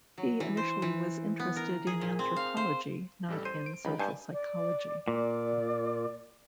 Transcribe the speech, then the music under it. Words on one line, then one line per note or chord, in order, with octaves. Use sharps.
He initially was interested in anthropology, not in social psychology.
F#3
E3
C5
E3
B3
A#4
G#4
A#2
C4
F5
C5
A1 G3 A4
C5 D#7
D7
C#2 D#4 B5
G2 G#5 A5 G6
D5
A#2 D5